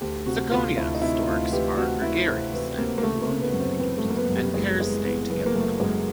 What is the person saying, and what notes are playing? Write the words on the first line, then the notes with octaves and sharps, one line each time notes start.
"Ciconia" storks are gregarious and colonial breeders, and pairs stay together for life.
D2 G4
C3 F#4
D2 F4
D2 E4
D#4
C3 E4
D2 F4
E3 G4
C3 F#4
E3 E4
C3 C4
E3
C3 A#3
A#3
C#3 A3
A#3
C#3
B3
F#2
C4
E3 C4
A3
F#2
A#3
B3
F#2
G3
F#1 G#3
E3 G#3
E3 B3
F#1 B3
A#3
F#2 A3
F#2 G#3